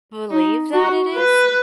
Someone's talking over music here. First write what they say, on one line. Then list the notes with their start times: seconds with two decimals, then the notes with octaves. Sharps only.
believe that it is,
0.30 D#4
0.73 F#4
1.16 B4